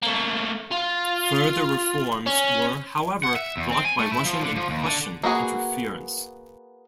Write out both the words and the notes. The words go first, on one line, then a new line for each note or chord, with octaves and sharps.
Further reforms were, however, blocked by Russian and Prussian interference.
A3 A#3
F4
C#4
F#5
E5
E2
C4
G#5
A3
E4
F3
D3
F3
D#2
D3
A#3 B3 F#4 G#4